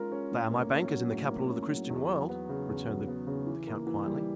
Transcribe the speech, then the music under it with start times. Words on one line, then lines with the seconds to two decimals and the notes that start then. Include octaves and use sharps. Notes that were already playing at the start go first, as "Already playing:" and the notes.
"They are my bankers in the capital of the Christian world," returned the count quietly.
Already playing: G#3 C#4 F4 A#4
0.12 C#4
0.32 A2
0.51 A#3
0.71 C#4
0.91 F#3
1.11 A2
1.30 A#3
1.49 C#4
1.69 F#3
1.90 E2
2.09 F#3
2.29 B3
2.49 C#3
2.69 E2
2.87 F#3
3.08 B3
3.27 C#3
3.46 E3
3.67 A#3
3.87 E3
4.06 G3